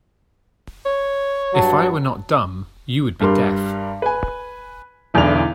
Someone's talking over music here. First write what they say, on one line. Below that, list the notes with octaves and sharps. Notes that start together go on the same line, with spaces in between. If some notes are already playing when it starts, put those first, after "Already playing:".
If I were not dumb, you would be deaf.
C#5
G2 F#3 A5
G2 G3 A#4 C6
B4 G#5
B1 E2 D3 E4 G#5 F7